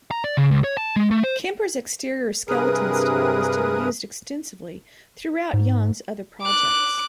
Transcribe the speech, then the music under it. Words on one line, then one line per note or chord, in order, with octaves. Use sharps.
Kemper's exterior skeleton style was to be used extensively throughout Jahn's other projects.
A#5
D5
C#3
C#2
C#5
A5
G#3
A3
C5
G2 C3 G#4 A#4 B4 D#6
G#2
D6 F#6